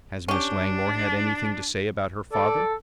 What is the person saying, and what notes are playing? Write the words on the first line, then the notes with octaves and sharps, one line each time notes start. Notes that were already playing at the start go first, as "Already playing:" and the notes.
"Has Miss Langmore had anything to say about her father?"
C#4 D4 G4
A4 D5